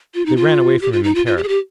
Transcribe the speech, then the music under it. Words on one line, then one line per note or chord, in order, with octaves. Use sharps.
They ran away from him in terror.
F4
D#4
F4
G4
F4
D#4
F4
F4
G4
G#4
G4